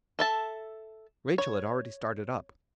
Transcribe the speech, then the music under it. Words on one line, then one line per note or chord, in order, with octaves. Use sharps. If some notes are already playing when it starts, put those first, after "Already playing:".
Rachael had already started up.
A4 E5 A5
C#5